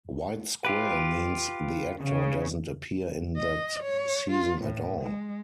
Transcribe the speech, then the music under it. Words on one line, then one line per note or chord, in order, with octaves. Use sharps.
White square means the actor doesn't appear in that season at all.
F4 G4 B4
C#3
D#5
C#5
F4
A2
G#3